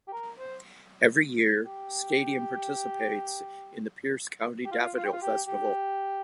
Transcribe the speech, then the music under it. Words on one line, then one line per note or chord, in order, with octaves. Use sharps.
Every year, Stadium participates in the Pierce County Daffodil Festival.
G4
A#4
C5
G4
G4
F4
F4
G4
F4
G4
G4